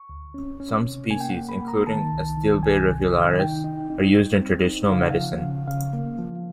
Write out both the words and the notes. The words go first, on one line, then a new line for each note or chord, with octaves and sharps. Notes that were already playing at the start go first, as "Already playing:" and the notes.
Some species, including "Astilbe rivularis", are used in traditional medicine.
Already playing: C#6
D2
C#4
C#4
C3
A#3 G#5
G5
F#5
A#3
B5
A#3
A#5
D#3 A5
C2
D#3
C2 G#5
C3
D#3
D#4 G5
D#4
D#4
G3
C4
D#4
C#3 F5
F#5
F5
F3
C#3
C#3 F5
A#3
F3